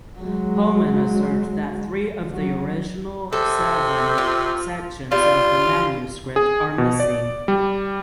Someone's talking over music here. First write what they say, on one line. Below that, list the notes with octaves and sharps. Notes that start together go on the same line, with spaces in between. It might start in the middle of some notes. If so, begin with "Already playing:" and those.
Holman observed that three of the original seven sections of the manuscript are missing.
F#3 G#3
F#3
C3 A4
F4
G3 F4
G#4
B2
D5
G3